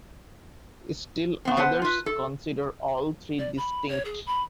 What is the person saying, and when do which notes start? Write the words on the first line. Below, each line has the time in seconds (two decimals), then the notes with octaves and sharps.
Still others consider all three distinct.
1.45 B3 C4
1.57 B3 B4 C5 F#5 A5
1.82 F4 B4
2.06 A4
3.38 D5
3.57 B5
3.89 C#5
4.05 G#4
4.26 B5